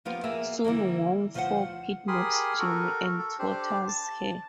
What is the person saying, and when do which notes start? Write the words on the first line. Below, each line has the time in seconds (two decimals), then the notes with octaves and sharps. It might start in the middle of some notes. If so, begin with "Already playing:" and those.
Soon Wong Foo kidnaps Jenny and tortures her.
0.05 F3 A#3 B3 F4 G4
0.24 A#3 F#4 G#4 E5
0.64 D3 E3 F3 G3 A#3
1.34 D2 F3 F4 A#4 C5 F#5
2.08 G4 G#4 A#4 B5 C6 D#6
2.59 F#4 A4 A#4
3.19 A4
3.39 D4 G4 C5
3.88 A5